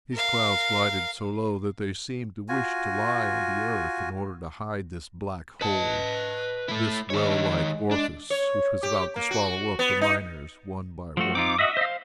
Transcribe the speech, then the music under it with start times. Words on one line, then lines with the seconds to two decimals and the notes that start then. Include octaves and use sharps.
These clouds glided so low that they seemed to wish to lie on the earth in order to hide this black hole, this well-like orifice which was about to swallow up the miners one by one.
0.13 A#4 F5
2.49 F4 F#4 G#5
5.61 B4 D#5 A5
6.68 A3 E4
7.10 D#3 G#3 C#5
7.91 G#3 D4
8.30 C#5
8.83 G4
9.16 A#3
9.31 F#4
9.79 B3
10.01 D#4
11.17 F3 A3 F#4
11.35 C4 D#4 F4 D6
11.58 F#4 D#5 E5 D#6
11.77 C5 F5